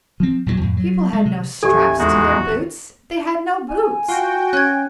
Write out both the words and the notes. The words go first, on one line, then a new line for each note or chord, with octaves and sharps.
People had no straps to their boots, they had no boots.
F3 C4
A#1 E2 C#3 F#3
F2 A2
F#3
G#3
C3
A1 D#2 G4 A4 G#5
E2 G#3 D#4 F#4
G#5
F4 F#4 G5
C#4 F#6 G#6